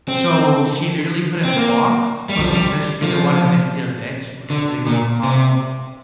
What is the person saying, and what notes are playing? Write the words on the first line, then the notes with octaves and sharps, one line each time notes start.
so she literally couldn't walk, but because she didn't wanna miss the event, she w didn't go to the hospital yet
C4
C4
A#3
G3
F3
G3
F3
D3
A#2
C3